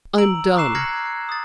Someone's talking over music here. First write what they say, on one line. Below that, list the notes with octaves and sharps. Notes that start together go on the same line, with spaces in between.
"I'm done."
A#5 E6 D7 F#7
A#5 C#6 D6 F#6 C7 E7
F6 G#6 A#6 C#7 F#7
D#6 A6